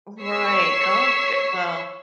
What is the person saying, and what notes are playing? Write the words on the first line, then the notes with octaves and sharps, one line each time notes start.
Right, oh, g well.
C#5 C#6 E6 B6 C7